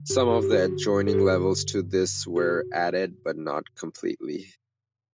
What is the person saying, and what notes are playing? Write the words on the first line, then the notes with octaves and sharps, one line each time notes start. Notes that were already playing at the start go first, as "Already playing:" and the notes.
Some of the adjoining levels to this were added, but not completely.
Already playing: D3
G2 G4
G2 G4
G4
D3 F#4
D3
G2
A4
G2 G4
D3
D3
G2
G2
D3
B2 F#4